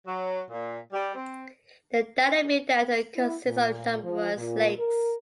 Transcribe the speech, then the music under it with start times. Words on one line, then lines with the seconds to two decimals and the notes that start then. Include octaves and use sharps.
The Danube Delta consists of numerous lakes.
0.06 F#3
0.50 A#2
0.93 G3
1.15 C4
3.16 E4
3.47 A#2
4.03 F3
4.37 A#2
4.78 A#4